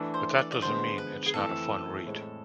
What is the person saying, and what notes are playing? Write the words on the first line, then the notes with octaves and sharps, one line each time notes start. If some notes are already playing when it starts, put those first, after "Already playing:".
But that doesn't mean it's not a fun read.
Already playing: E3 A3 D4 A4
C5
D5
D5
D3 F3 G#3 B3 C5
B4
G#4
F2 E3 A3 E4 A4
A2 G#3 C4 G#4